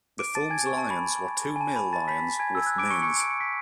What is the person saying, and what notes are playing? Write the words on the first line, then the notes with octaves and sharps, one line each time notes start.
The film's lions were two male lions with manes.
D6 D7
A5 A6
G#5 G#6
C#6
A5
B5
G#5
A5
B5
A5 A6
B5 B6
G#5 G#6
E6
G#6
F#6
D6 D7
C#6 C#7
C#6 C#7
D7
C#7
B6